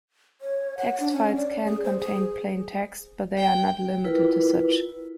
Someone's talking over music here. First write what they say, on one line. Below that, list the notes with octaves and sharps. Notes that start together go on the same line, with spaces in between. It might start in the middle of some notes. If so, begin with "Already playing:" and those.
Text files can contain plain text, but they are not limited to such.
C#5
F#5
D4
C#4
D5
G#4
C5
G#4
G5
E4 F4 A#4 B4